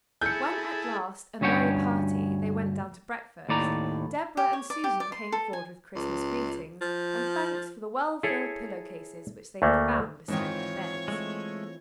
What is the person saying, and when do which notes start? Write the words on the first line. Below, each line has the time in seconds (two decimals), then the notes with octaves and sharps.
When at last, a merry party, they went down to breakfast, Deborah and Susan came forward with Christmas greetings, and thanks for the well-filled pillow-cases which they had found beside their beds.
0.21 E4 G#4 A4 G6 C#7
1.41 D2 G2 C#4 C#5 F#5 G5
3.49 D#2 A2 D5 A#5
4.37 G4
4.53 C#5
4.70 D5
4.84 G4
5.00 D5
5.12 C6
5.32 A4
5.53 G#5
5.96 C#2
6.81 F3
8.23 E4 G#4 A4 C#5
9.62 D2 A3 A#3
10.28 G#2 D#3 E3 C4 F4 C#5
11.08 G#3 A3